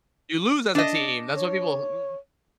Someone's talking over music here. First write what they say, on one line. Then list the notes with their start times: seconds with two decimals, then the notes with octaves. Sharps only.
You lose as a team, that's why people m
0.75 D4 D#5
1.37 C#5